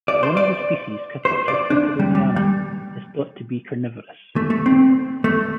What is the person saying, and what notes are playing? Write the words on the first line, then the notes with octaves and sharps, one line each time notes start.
One of the species, "Catopsis berteroniana", is thought to be carnivorous.
D5
C5
D5
C5
D5
D4
G3
G3
G3
A3
A3
C4
A3